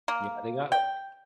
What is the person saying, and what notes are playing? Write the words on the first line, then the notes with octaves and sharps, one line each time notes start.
Yeah, they got, like,
A#3
G5